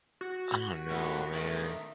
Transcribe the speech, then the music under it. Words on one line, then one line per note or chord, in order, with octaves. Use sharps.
I don't know, man.
F#4
A2 B3
D#3 A3